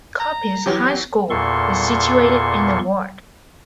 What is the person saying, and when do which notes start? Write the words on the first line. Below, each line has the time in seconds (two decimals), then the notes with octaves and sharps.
Coppice High School is situated in the ward.
0.20 A#5
0.66 E3 F#3 G4
1.30 E2 A#2 A4 C6 C#6